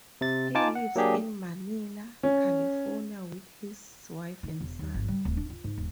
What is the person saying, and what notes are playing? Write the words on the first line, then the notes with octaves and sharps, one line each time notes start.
He lives in Manila, California with his wife and son.
C3 A6
D#4 F4 G#5 A5 D6
F#5
F#3 A#3 D4 G4 G#4
C#4
D#3
E1
D#2
G#1
G3
D1
D4
F4
G#2
D#1